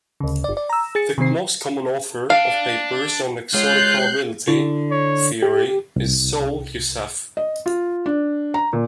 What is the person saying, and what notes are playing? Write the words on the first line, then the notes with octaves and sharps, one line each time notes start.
The most common author of papers on exotic probability theory is Saul Youssef.
D2 C#3
G1 D5
D5
A#5 E6
G#4 A6 C#7
C3 D#3 C4 C7
D4 F5
G#3 F4 G#4 C#5 F#6 G6 C7
D3 E4
C#5
G4
C2
D#5
F4
D4
A#5
A#2